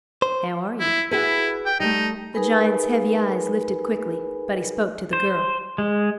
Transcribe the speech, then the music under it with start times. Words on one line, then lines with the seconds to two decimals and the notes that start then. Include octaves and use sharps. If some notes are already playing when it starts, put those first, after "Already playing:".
"How are you?" The giant's heavy eyes lifted quickly, but he spoke to the girl.
0.22 C5
0.80 E4
1.11 E4 F#4 G#4 B4
1.66 G5
1.80 G3 A3 D#4
2.34 D#4 G#4 A#4 B4 G#5 B5
5.13 C5
5.78 G#3